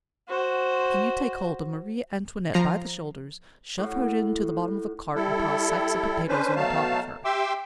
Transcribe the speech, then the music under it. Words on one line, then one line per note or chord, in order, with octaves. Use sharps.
Can you take hold of Marie Antoinette by the shoulders, shove her into the bottom of a cart and pile sacks of potatoes on the top of her?
F#4 C5
F3 A#5 C7
A2 F#4
G3 E4 A4
C#4 D4 B4 C5
B2 F#3 A3 F5 A5
G4 E5 G5 C6 D6 E6